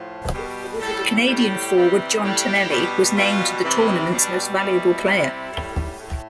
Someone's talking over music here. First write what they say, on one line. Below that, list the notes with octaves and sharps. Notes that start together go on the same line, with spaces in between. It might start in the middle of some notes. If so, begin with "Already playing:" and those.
Canadian forward John Tonelli was named the tournament's most valuable player.
Already playing: A2 F3
B2 G3 G4
A2 G3 A4
A2 G3 G4
C3 E3 G3
A2 G3 G4
B2 G3
B2 G3 F4
C3 E3 G3
B2 D4
G3
B2 G3 E4
C3 G3
A2 G3
A2